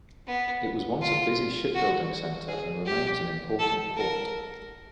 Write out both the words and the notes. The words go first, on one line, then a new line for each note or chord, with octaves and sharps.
It was once a busy shipbuilding center and remains an important port.
B3
F4
F#4
G#4
G4
A4
A#4